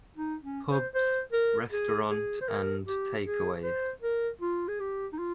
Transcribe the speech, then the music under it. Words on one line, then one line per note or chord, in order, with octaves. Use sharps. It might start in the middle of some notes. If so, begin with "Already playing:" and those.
Pubs, restaurant and take-aways.
D#4
C#4
C5
C5
A#4
G#4
G#4
C5
A#4
G4
G#4
C5
A#4
F4
G#4
G4
D#4
F4